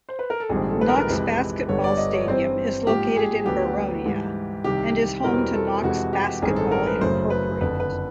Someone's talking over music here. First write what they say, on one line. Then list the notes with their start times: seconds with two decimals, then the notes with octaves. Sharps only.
Knox Basketball Stadium is located in Boronia and is home to Knox Basketball Incorporated.
0.09 C5
0.19 B4
0.30 A#4
0.40 A4
0.49 A#1 G#2 D#3 G3 C4 G#4
0.69 A4
0.81 B4
0.89 A#4
1.09 F2 C3 E3 G#3 B4
1.68 G1 G2 D3 G3 B3 C#5
1.84 D5
1.97 D#5
2.13 C#5
2.27 G2 E3 G3 C4 C5
2.87 G#2 F3 A#3 G4
3.16 G#4
3.46 D2 D3 F#3 B3 G4
4.05 G#2 E3 G3
4.64 C2 C3 D#3 G4
5.23 E2 B2 G3 C4 A#4
5.54 A4
5.83 F2 C3 E3 G#3 F#4
6.13 G4
6.42 A1 G2 D#3 G#3 C4 G#4
6.56 A4
6.71 A#4
6.86 B4
7.01 F#1 F#2 C#3 F#3 A3 C5
7.30 B4
7.61 F#1 F2 D3 B4
7.80 B4